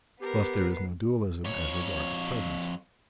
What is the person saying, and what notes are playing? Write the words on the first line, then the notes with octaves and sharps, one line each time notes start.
Thus there is no dualism as regards acquaintance.
B3 G4 A#4 C7
F2 C#5